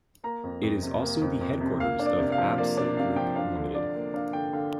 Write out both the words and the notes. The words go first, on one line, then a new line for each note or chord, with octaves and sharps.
It is also the headquarters of Absa Group Limited.
A#3 A#5
F2
F2
C3
A#3
F2
F2
C3
A#3 F5
D4
D5
C3
F5
F3
A#3 D5
D4 D5
C3 F5
F3 G5
D4 F5
D3
D3 D5
A#3
D4 F5
D3 G5
D3 F5